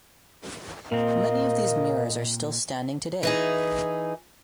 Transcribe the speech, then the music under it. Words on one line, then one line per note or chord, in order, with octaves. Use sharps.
Many of these mirrors are still standing today.
A#2 A#3 C4 D#5
E3 D#4 G#4